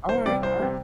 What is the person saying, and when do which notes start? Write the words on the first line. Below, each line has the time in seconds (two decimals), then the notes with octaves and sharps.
Alright, alright.
0.09 C2 C5
0.26 C3 G3 D5
0.42 C2 C5
0.59 C3 G3